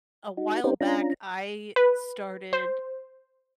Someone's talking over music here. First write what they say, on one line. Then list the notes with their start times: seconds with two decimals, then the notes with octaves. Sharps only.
a while back I started
0.37 D#4 F#4
0.64 C4 C#4 D#4 G4 B4 C5
0.81 C#4 D4 F4 A#5
1.76 B4
2.53 C5